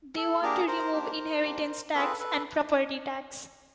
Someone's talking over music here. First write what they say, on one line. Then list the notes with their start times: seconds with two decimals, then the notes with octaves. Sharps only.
They want to remove inheritance tax and property tax.
0.17 A4
0.42 A#3 D4 G4 G#4 A#4
0.67 A#4 C5
0.93 A#3 D4 G4
1.44 A#3 D4 G4
1.94 C4 F4 G#4 A4 B4
2.20 A4 B4